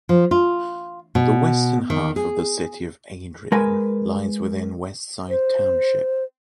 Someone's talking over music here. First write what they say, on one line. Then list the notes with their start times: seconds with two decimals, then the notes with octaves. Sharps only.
The western half of the city of Adrian lies within Westside Township.
0.09 F3
0.31 F4
1.15 B2
1.90 D#3
2.16 G#4
3.52 G#3 A#4 B4 G#5
5.30 C5